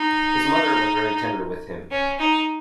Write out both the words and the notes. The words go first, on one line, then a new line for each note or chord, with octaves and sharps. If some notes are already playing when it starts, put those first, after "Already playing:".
His mother was very tender with him.
Already playing: D#4
C#4
D#4